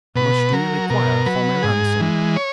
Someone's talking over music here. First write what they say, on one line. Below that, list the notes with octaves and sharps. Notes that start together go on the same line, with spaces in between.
"How much do you require for my ransom?"
B2 B4
F#3 A#4
B2 A#4
F#3 B4
G#2 G#4
E3 G#3
C#5